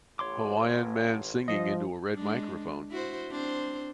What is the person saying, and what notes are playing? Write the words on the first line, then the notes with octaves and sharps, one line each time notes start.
Hawaiian man singing into a red microphone.
A1 C#5 C6 D6
F3 D#5
G#3 D4
E4 F#4 C5
C4 D4 C5